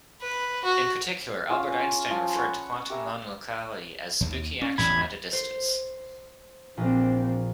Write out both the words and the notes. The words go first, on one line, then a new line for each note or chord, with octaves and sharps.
In particular, Albert Einstein referred to quantum nonlocality as "spooky action at a distance".
B4
F#4
C#4 F4 G#4
F3
B4 C#5 F#5
G4 E5 A#5
D#2
C#4
A1 E2 G2 B5 G#6
C5
A#1 C4 D4